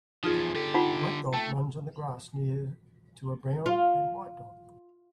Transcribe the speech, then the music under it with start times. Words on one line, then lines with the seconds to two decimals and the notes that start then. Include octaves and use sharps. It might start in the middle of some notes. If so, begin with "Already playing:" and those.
A black dog runs on the grass near to a brown and white dog.
0.24 E2 F3 D#4 F4 G#4
0.55 D3 G4 A4
0.74 D#4 F4 F#5
1.33 A3 G5 A5
3.66 F4